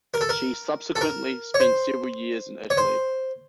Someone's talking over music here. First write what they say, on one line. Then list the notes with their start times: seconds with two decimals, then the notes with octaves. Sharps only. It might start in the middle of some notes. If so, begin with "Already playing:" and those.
She subsequently spent several years in Italy.
0.14 A#4
0.21 A4
0.29 A#4
0.96 A4
1.01 A#4
1.54 C#5
1.60 C5
2.70 C#5
2.77 C5